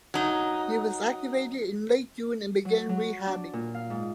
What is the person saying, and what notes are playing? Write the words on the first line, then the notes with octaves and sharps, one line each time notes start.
He was activated in late June and began rehabbing.
F#3 D#4
F#3
F#3
D4
A#2
F5
G#2